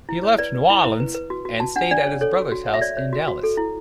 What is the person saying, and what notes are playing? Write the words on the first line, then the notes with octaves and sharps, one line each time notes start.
He left New Orleans and stayed at his brother's house in Dallas.
E4
C#5
B4 D5
B4
E4
E4
B4
B4
F#4
F#4
F#4 A5
D4 F#5
D4 D5
C#5
A4 C#5
F#4
F#4
C#5
E5
C#5 D5
C#5
F#4
F#4
A4
E4